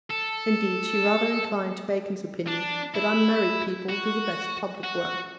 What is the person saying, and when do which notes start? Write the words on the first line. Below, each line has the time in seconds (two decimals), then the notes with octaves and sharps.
Indeed, she rather inclined to Bacon's opinion, that unmarried people do the best public work.
0.10 A4
2.47 D4
2.94 E4
3.89 F#4
4.84 F#4